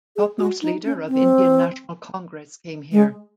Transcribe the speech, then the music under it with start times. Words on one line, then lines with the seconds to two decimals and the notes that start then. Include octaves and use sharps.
Topmost leader of Indian National Congress came here.
0.16 G#4
0.39 F#4
0.62 D#4
0.85 C#4
1.08 C4
2.92 G#3